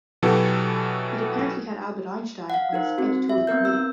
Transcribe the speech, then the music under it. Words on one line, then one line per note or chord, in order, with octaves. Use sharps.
It apparently had Albert Einstein on its editorial committee.
B2 E3 F#3 F#4 G4 A4
F5 F#5
D#4 A#4 C5
C4 F#4
E5
B3 C4 A#4 G6
E6